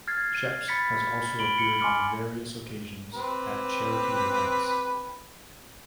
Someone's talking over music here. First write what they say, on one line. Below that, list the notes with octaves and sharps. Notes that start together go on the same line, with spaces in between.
Scheps has also appeared on various occasions at charity events.
F6 G#6 A6 C7
B5 A6 B6 C#7
B5 D7 F#7 G7
C#7 F#7
G#5 C6 D6 F6 C#7
C4 G4 B4